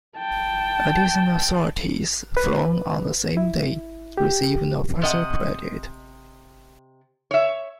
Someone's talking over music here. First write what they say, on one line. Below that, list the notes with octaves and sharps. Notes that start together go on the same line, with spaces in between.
Additional sorties flown on the same day receive no further credit.
G5 A5
B4
E4
G4
C3 D#5 F#5
C#5 E5